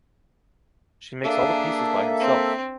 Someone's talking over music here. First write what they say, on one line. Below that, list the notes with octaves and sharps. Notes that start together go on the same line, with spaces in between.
She makes all the pieces by herself.
A#3 D4 G#4 A4 E5
C4